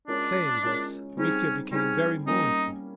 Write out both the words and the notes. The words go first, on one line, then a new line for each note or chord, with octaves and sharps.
Saying this Mitya became very mournful.
G#3 C#4 D4 F4 A#4 C#5
G#3 C#4 F4 A#4 C#5
G3 C4 C#4 D#4 G#4
G3 C4 C#4 D#4 G#4
G3 A#3 C#4 D#4